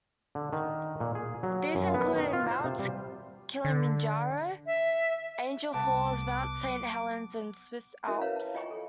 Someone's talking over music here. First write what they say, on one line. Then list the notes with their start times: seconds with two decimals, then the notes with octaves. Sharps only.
These included Mount Kilimanjaro, Angel Falls, Mount Saint Helens, and the Swiss Alps.
0.35 D3
0.53 D#3
1.00 A#2
1.15 G#4
1.43 F#3
1.75 F#2
1.94 B3
2.16 D#3
2.33 F4
2.51 C5
2.64 C3
2.79 G3
3.65 D3
4.66 E5
5.73 C2 B3 A5 D6
6.62 F#3
8.07 C#4 E4 F#4 A#4 E5
8.21 B4 C#5 F5 A#5
8.36 A5
8.55 F4 D#5 G5 G#5 A#5 C#6
8.71 A4